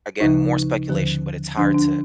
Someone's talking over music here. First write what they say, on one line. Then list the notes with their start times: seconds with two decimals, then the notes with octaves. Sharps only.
again, more speculation, but it's hard to
0.20 D2 C#3 F3 D#4
0.89 D#2 D3 F3
1.58 D2 D3 F3 D4
1.74 D4